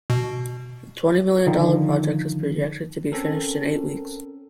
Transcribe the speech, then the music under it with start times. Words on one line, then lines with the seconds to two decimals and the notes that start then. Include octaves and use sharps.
The twenty million dollar project is projected to be finished in eight weeks.
0.10 B2
1.46 D3 D#3 F3
3.12 C4 C#4 A4 A#4